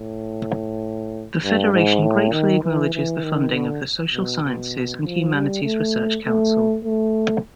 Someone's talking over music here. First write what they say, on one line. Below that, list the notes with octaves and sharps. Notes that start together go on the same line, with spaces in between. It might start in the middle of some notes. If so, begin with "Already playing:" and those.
The Federation gratefully acknowledges the funding of the Social Sciences and Humanities Research Council.
Already playing: A2
G2
G#2
A2
D#3
E3
E3
D#3
D3
B2
B2
F3
G3
A3
A3
A3